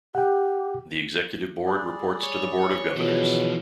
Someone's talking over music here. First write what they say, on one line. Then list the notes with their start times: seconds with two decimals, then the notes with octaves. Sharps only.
The Executive Board reports to the Board of Governors.
0.15 G4 F#5 G5
1.66 G3 G#4 D5
2.23 C#5
2.96 B2 E3 F3 F4 G#4 C#5